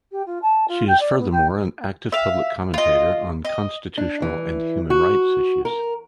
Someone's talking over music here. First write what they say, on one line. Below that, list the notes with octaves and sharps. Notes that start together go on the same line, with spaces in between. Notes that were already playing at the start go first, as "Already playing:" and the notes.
She is furthermore an active public commentator on constitutional and human rights issues.
G4
F4
A5
F4
G5
D5
B3
G5
E5 F5
F4 D#5
D#5
D4
E3
F#4
A#4